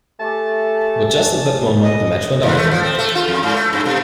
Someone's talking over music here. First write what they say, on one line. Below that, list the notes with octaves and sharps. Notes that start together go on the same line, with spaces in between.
But just at that moment the match went out again.
A3 G4 G#5 A5 D6
F#2 B2 D#5
D#2
A3
F3
C4
A3
F4
F2
G#2
A3
G2
B2